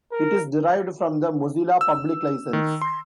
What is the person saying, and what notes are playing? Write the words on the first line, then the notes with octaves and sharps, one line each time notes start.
It is derived from the Mozilla Public License.
A#4
E6
D#3
C6